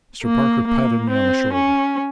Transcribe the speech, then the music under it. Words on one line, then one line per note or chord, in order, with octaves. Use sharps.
Mr. Parker patted me on the shoulder.
A#3
A#3
C4
C#4